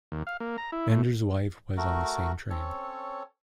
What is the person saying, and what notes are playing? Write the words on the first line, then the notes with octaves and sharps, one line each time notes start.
Bender's wife was on the same train.
D#2
F5
A#3
A#5
E4
A2
A3 F#4 A#4
C4 C#4 A4 C#5